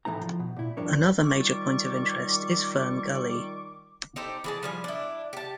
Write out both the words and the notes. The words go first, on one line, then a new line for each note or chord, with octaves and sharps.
Another major point of interest is Fern Gully.
A2 E3 A3 D#4 A#5
F3
B2
A#2 E4
G2 F3 D4 A#4 C#5
D#3 G3 F4 C#6 D6
D#4 G4 A4 C5
E3 G#4 A5
F3 G3 G#5
D4 E4
G4 A5